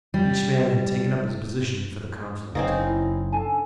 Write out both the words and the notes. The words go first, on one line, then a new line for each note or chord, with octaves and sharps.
Each man had taken up his position for the conflict.
G3
F#1 C4 C#4 D#4 A4 D5 F5
E4
D4 A4 G#5 A5